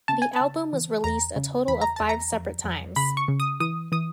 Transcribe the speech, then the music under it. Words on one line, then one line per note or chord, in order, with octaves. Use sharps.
The album was released a total of five separate times.
C#3 A5
G#5
C#3 A5
E3
E2 A#5
C#3
E2 B5
A#5
E2 A5
A#5
F2
F2
C#3 B5
C#6
C#3
D#6
E3 D#6
E3 D#6